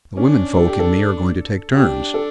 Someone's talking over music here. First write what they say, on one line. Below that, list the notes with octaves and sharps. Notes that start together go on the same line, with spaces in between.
The women folks and me are going to take turns.
C#4 D4
A4
G4
A4
D4 G4
A4